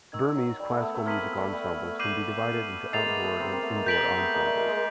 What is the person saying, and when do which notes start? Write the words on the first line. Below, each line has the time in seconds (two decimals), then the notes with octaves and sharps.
Burmese classical music ensembles can be divided into outdoor and indoor ensembles.
0.12 D#3 C#6 E6 G#6
0.36 F#3
0.59 G3
0.70 A3 B3
0.82 A3 B3
0.94 A3 B3
1.06 A#3 C4 F6 G#6 B6 D#7 F#7
1.21 A3 B3
1.37 G3 A3
1.53 G3 A3
1.99 D6 G6 C7 D#7 F#7
2.93 G#3 A#3 A6 C7 F7
3.08 A3 B3
3.24 A3 B3
3.40 A#3 C4
3.51 A#3 C4
3.63 A3 B3
3.75 G#3 A#3
3.86 A#3 C4 G6 B6 D7 F#7
4.02 A#3 C4
4.18 A3 B3
4.34 G#3 A#3
4.46 G3 A3
4.57 G#3 A#3
4.68 G#3 A#3